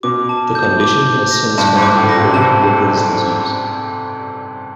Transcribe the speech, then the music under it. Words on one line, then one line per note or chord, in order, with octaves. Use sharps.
The condition has since come to be called Whipple's disease.
B2 D6
A5
G6
D6
G6
A#6
G2 A5
G#2
D6
A2
A#6
A#2
C3 A5